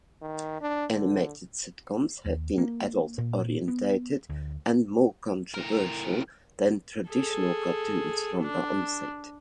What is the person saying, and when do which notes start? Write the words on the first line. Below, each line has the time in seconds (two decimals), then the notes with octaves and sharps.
Animated sitcoms have been adult-oriented and more controversial than traditional cartoons from the onset.
0.22 D#3
0.61 D4
0.93 D3
2.26 D#2
2.58 A#3
3.18 A#2
3.68 B3
4.29 D2
5.54 A2 A#4
7.09 G#4 A4
8.42 D4